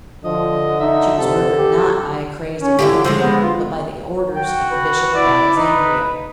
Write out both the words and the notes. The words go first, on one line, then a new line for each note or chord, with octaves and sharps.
She was murdered not by a crazed individual but by the orders of the bishop of Alexandria.
D3 F3 D#5
D#4 E5
C3 A4
G4
C#4
D3 E4 F4 G4
D3 F3 G#3 C5
B3
F4
F#4 G5
B4
E4 D5
D#4 B4